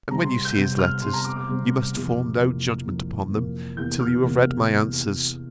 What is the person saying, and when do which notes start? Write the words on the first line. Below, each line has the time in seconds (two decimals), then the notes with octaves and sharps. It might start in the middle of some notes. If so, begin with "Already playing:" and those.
And, when you see his letters, you must form no judgment upon them, till you have read my answers.
0.10 C3 G3 C4 A#5
0.22 C6
0.45 G6
0.56 C3 G3 C4 G6
0.79 F6
1.02 C3 G3 C4 C6
1.13 A#5
1.25 D6
1.36 D6
1.48 C3 G3 C4
1.93 F2 C3 E3 A#3
2.39 F2 C3 E3 A#3
2.85 F2 C3 E3 A#3
3.30 F2 C3 E3 A#3
3.77 E2 C3 E3 A#3 G6
3.99 F6
4.23 E2 C3 E3 A#3